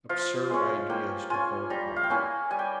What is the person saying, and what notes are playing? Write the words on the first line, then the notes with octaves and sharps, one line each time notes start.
Absurd ideas took hold upon him.
F3 F5
G#3 C#4
A#3 G5
C#4 F4 G#5
G3 A#5
F5
G5
A#3 C#4 E4 G#5
G3 G#5
G5